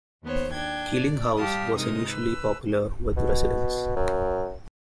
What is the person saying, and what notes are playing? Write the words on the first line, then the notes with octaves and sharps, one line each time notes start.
Keeling House was initially popular with residents.
D#2 B3 C5 C#5
D4 G5 G#6
D5
G3 G4 F5 A5 D#6
C3 G#3 D#4 A#4 D#6
B4 E6
B2
F#2